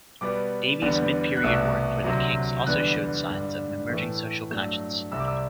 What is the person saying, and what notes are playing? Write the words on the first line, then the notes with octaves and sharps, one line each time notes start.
Davies' mid-period work for the Kinks also showed signs of an emerging social conscience.
B2 G3 B3 D6
E2 D3 G3 B3
F#6
C2 B2 A3 E6
D2 C3 F#3
G6
E2 D3 G3 B3 F#6
G2 D3 G3
A2 E3 A3
G2 F#3 A3
C2 C3 G3 E6
D6
E6